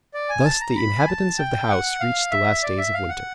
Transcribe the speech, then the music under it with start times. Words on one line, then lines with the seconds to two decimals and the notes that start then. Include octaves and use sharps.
Thus the inhabitants of the house reached the last days of winter.
0.14 D5
0.29 G#5
0.45 A5
0.61 A#5
0.76 B5
0.99 G#5
1.07 A5
1.39 G5
1.69 F#5
2.00 F5
2.31 E5
2.63 D5
2.78 E5
2.94 F5
3.09 F#5